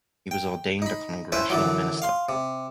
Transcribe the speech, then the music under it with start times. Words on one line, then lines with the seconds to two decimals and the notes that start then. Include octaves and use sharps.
He was ordained a Congressional minister.
0.31 G5
0.82 D#4 B5
1.32 C#4 E4 B4 C5
1.50 F#2 D3 E3 F#3
2.02 F5 C6
2.29 C3